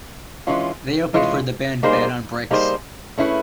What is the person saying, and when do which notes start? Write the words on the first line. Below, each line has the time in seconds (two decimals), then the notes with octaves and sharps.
They opened for the band Bed on Bricks.
0.47 E3 G#3 C#4 F4
1.14 E3 G#3 C#4 F4
1.83 G3 A#3 D#4 G#4 C5
2.51 G3 A#3 D#4 G#4 C5
3.18 A3 C#4 E4 G#4 B4